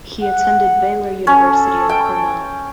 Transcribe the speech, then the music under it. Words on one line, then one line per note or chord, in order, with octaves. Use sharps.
He attended Baylor University and Cornell.
F#5
C#4 A4 A5
G5